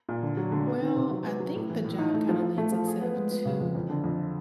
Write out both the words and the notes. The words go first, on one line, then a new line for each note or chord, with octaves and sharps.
W well, I think the job kinda lends itself to
A#2
D3
F#3
D3
B3
D#3
C3
F#3
B3
F#3
A2
E3
A2
D#4
A3
F3
F3
A3
F3
G#4
B3
G#3
B3
C#3
F2
F2
D3
F2